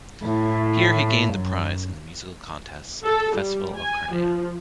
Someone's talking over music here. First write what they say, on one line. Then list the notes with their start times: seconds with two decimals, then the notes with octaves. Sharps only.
Here he gained the prize in the musical contests at the festival of Carnea.
0.25 A2
1.33 F#2
3.06 A4
3.36 G3
3.80 G#5
4.14 F3